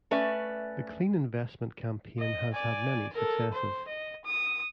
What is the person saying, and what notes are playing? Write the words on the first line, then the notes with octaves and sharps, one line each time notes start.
The Clean Investment campaign has had many successes.
A3 C#4 B4 D5 E5
D#5
D5 G#5
A4 A#4
C5
D#5
D#6